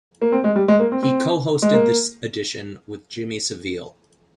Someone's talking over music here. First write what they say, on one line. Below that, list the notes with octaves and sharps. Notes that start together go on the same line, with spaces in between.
He co-hosted this edition with Jimmy Savile.
A#3
C4
G#3
G3
G#3
A#3
C4
C4
G#3
A#3